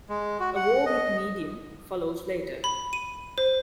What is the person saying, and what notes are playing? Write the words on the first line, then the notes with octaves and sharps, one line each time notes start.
A war with Midian follows later.
G#3
F#4
F#5
D#5
B5
D#7
C5